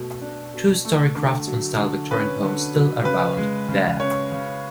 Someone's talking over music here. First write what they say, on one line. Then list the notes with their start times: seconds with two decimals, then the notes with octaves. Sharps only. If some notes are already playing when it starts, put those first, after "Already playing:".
Two-story Craftsman-style Victorian homes still abound there.
Already playing: B2 A3
0.22 D4
0.54 B2
0.85 A3
1.16 D3
1.47 F#3
1.80 D3
2.11 C#4 B4
2.43 D3
2.74 F#3
3.05 C#3 B4
3.37 G#3
3.69 C#3
4.00 C#4 C#5
4.32 C#3